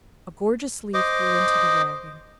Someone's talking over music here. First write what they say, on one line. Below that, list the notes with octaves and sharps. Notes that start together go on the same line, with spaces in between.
A gorgeous leaf blew into the wagon.
C5 D#5 D6